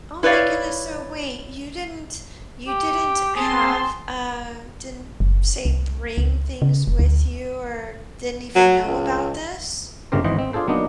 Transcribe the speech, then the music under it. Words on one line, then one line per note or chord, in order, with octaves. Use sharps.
Oh my goodness. So, wait, you didn't you didn't have, uh didn't say, bring things with you or didn't even know about this?
E4 B4 C#5 D5 F5
G4
C4 G#4 A5 C6
F#1
C2
C#2
C#3
F1
D2
F#3
C#2
G1 G2 C#3 G4 A#4 C5
G#1 E3 C5 D#5 F#5
C4
D4 F4 G#4 A4 C5
F#3 A#3 B3 D4 D#4